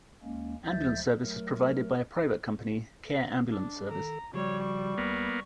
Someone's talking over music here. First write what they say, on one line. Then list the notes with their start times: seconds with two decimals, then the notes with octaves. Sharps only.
Ambulance service is provided by a private company, Care Ambulance Service.
0.22 D#2 G#3 A#3 C#4
0.65 D2 F3 G#3 E5 G6 A6
1.21 F#3 A3 A#4
3.51 D4
3.91 D#3 A4 A#5
4.34 C#3 F3 G3 F#4 C#5
4.63 C#6
4.98 C2 A#3 B3